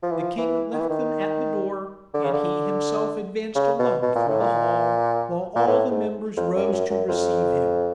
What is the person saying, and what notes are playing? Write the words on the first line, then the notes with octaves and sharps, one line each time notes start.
The king left them at the door, and he himself advanced alone through the hall, while all the members rose to receive him.
F3
E3
F3
E3
D#3
E3
D#3
D3
C#3
D3
C#3
B2
B2
A#2
A2
A#2
A#2
A2
G#2
F2
F#2
F#2
F#2
F2